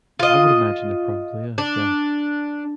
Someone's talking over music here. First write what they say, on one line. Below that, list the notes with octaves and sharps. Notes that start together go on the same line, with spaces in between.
I would imagine there probably is, yeah.
F4 D#5
D4